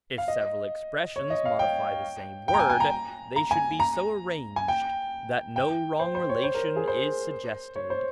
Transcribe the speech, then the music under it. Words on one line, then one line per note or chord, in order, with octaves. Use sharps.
If several expressions modify the same word, they should be so arranged that no wrong relation is suggested.
F5
D#5
C#5
D#5
F5
G5
G5
A#5
G#5
G#5
A#5
A#5
G#5
A#5
G#5
G5
G5
C5
C5
C#5
C5
A#4
G#4
C5
C#5
C5